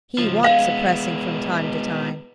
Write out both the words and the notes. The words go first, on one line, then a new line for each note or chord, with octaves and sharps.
He wants suppressing from time to time.'
C#2 F3
G#3 B3 F5